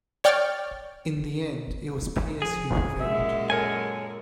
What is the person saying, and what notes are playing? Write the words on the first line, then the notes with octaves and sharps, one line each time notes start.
In the end it was Pearce who prevailed.
C#5 D5 G5 F6 A6
F3 G#4
F#2 A#2 G#3 E5
A4 A#4 C#5 G#5